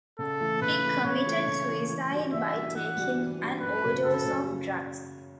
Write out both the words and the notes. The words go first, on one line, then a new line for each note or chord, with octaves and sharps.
He committed suicide by taking an overdose of drugs.
C#3 A4
E3 A3
C#3 B4
E3 A3
C#3 C#5
E3 A3
C#3
E3 A3
E3
G3 D4 F#4
E3 E5
G3 D4 F#4
E3 F#5
G3 D4 F#4
E3
G3 D4 F#4
F#2 B4
C#3 F#3
F#2 A4
C#3 F#3